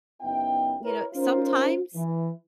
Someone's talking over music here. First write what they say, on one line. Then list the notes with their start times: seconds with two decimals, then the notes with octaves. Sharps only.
you know, sometimes
0.21 F#1 B3 D#4 E4 G5
0.83 E4 A#4 B4 C#5
1.14 C#4 D#4 F4 A#4 C5
1.95 E3